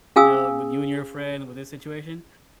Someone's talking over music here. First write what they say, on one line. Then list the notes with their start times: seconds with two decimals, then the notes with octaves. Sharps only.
You know, with you and your friend, with this situation,
0.16 C#4 G#4 F5 G#5 D#6 E6